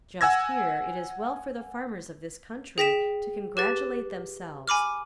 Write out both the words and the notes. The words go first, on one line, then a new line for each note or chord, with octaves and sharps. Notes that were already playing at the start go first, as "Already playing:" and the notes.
Just here it is well for the farmers of this country to congratulate themselves.
F#5 G#5 E6 G#6 A#6
G#4 G5 A#6 B6 D7 E7
G4 B4 A6
G#5 B5 D6 F6